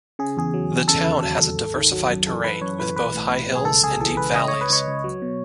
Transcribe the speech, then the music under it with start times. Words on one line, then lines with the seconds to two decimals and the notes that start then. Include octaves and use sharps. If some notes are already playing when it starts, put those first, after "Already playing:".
The town has a diversified terrain, with both high hills and deep valleys.
0.19 C#3 G#4
0.37 E2 G#4
0.54 F#3
0.72 E2
0.88 C#3 A4
1.05 D#2
1.22 F#3
1.41 D#2
1.58 G#1
1.76 D#3
1.92 F#3
2.09 F#2
2.27 E3 A4
2.44 F#2 B4
2.61 F#2 C#5
2.79 E3 B4
2.96 B1 B4
3.14 A2
3.32 A2
3.49 B1
3.55 G#4
3.65 C#2 A4
3.83 C#2 G#4
4.00 E3 A4
4.17 C#2 B4
4.35 C#2 D#5
4.48 C#2 C#5
4.61 B4
4.70 C#2 C#5
4.87 C#2
5.04 F#3
5.22 B2